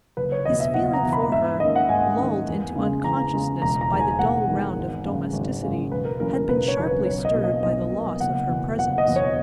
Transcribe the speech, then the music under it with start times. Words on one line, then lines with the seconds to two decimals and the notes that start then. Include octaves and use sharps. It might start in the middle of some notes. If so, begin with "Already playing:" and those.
His feeling for her, lulled into unconsciousness by the dull round of domesticity, had been sharply stirred by the loss of her presence.
0.17 F#1 B4
0.32 C#5
0.45 E2 B2 D#5
0.60 E5
0.74 F#1 F#5
0.93 A#5
1.03 E2 B2
1.13 B5
1.32 G#2 E5
1.60 D#3 A#3 C#4 D#5
1.76 F#5
1.89 G#2 G#5
2.18 D#3 A#3 C#4
2.47 E2
2.76 C#3 G#3
3.04 E2 A#5
3.33 C#3 G#3
3.62 E1 A#5
3.81 A#5
3.91 E2 D#3 G#3
4.00 G#5
4.19 E1 F#5
4.47 E2 D#3 G#3
4.76 G#1
5.05 F#2 C#3 G#3
5.33 G#1
5.63 F#2 C#3 G#3
5.91 E1 B4
6.05 A#4
6.20 E2 C#3 F#3 C#4 A#4
6.35 A#4
6.48 E1 B4
6.68 C#5
6.77 E2 C#3 F#3 C#4
6.86 B4
7.06 B1 C#5
7.25 D#5
7.35 B2 A#3
7.44 D#5
7.63 B1 D#5
7.92 B2 A#3
8.21 F#1 F#5
8.49 E2 B2
8.78 F#1 F#5
8.98 D#5
9.07 E2 B2
9.16 C#5